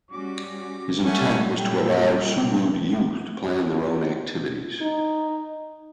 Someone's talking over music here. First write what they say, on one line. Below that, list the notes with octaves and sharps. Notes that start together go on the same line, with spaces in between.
His intent was to allow Subud youth to plan their own activities.
G3 C#4 F#4 D6
A#2 F#3 G3 A3 C#4 F#5
A4 G5
D#4